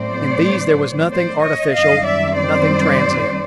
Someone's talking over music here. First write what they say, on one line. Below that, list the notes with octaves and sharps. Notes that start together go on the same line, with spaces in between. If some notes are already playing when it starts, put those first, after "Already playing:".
In these there was nothing artificial, nothing transient.
Already playing: A2 F#3 A3 C4 C5 D5
C5 D5
C#5 D#5
F#2 D#3 G3 C4 D#5 F5
D5 E5
C5 D5